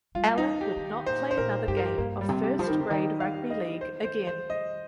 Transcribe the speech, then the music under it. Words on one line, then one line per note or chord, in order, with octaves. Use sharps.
Allan would not play another game of first grade rugby league again.
G3 F4
D#4
G4
D#3
A#2 C5
C5
A#2 A#4
G2 G4
A#4
G4
G2 A#3
G3
C3
G4
F3 C5
A#4
D#3
C3
D#3 D#5
F5
D#5
C5
C5
C5
D#5